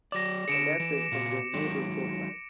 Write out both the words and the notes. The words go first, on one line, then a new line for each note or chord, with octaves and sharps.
Adapted from their Naver Profile.
F#3 D5 D6 A#6
D3 G#4 C#7 D7 E7
E3
A#2 F4 F#4
D#3 F#3 G#3